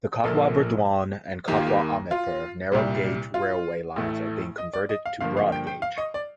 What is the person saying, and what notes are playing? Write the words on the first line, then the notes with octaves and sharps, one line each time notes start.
The Katwa-Burdwan and Katwa-Ahmedpur narrow gauge railway lines are being converted to broad gauge.
A#1 A#2 F3 A#3 A4
D#2 D#3 A#3 G4
F4
G4
F4
C2 A#2 G3
F4
A1 A2 A3
D#5
D5
D#5
F5
G2 D3 F3 A#3 F5
F5
G5
G5
F5
D#5
D5